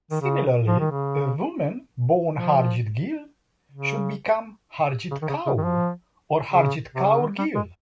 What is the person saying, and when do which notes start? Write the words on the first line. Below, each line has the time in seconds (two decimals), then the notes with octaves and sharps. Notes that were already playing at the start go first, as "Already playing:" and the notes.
Similarly, a woman born Harjeet Gill should become Harjeet Kaur or Harjeet Kaur Gill.
0.11 D#3
0.21 C#3
0.67 F3
0.79 D#3
0.91 C#3
2.32 F3
3.72 C#3
5.11 C#3
5.22 D#3
5.29 C#3
5.46 C#3
5.58 D#3
5.64 F3
6.51 C#3
6.95 C3
7.08 C#3
7.21 D#3
7.38 G3
7.55 G#3